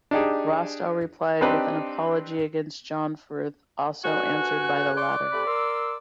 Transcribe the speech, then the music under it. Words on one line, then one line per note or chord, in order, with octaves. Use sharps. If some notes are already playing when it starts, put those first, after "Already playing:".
Rastell replied with an "Apology against John Fryth", also answered by the latter.
D4 D#4 G4 G#4
C4 D4 D#4 G4 B4 C5
D2 G2 F#4 G#5 F#6
D5 C6 C#6
C3 A3 B5
A#4 C6 E6